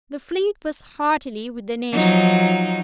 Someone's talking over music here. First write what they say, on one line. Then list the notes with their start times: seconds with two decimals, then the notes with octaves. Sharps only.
The fleet was heartily with the nation.
1.94 F3 F#3 D#4